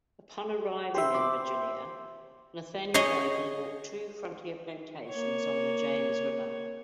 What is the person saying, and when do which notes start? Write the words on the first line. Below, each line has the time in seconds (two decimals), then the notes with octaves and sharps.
Upon arriving in Virginia, Nathaniel Bacon bought two frontier plantations on the James River.
0.94 G4 C5 E5 B5
1.14 D6
2.94 G#4 C#5 D#5 G#5
5.08 A#3 C#5